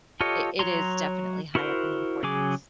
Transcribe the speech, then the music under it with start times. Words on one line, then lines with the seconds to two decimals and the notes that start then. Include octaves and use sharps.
it it is definitely high up in importance.
0.21 F4 G4 A4 C#5 D#5
0.59 F#3 C#5 A#5 C6
1.55 E4 F#4 A#4 C5
2.23 C#3 F#3 G#4 G#5 D6